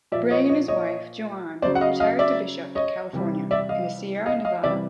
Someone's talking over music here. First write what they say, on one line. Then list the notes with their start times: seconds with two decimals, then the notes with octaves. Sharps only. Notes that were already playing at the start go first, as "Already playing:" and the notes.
Bray and his wife, Joan, retired to Bishop, California, in the Sierra Nevada.
0.12 A#2 F3 D5 E5
0.31 C#5 D#5
0.49 C#5 D#5
0.68 C#5 D#5
1.62 C#3 F#3 C5 D5
1.75 F#5
1.81 D#5 F5
2.00 D#5 F5
2.19 D5 E5
2.75 C#5 D#5
3.13 C3 E3 G3
3.51 D5 E5
3.69 D#5 F5
4.26 D#5 F5
4.45 D#5 F5
4.63 C3 E3 G3 D5 E5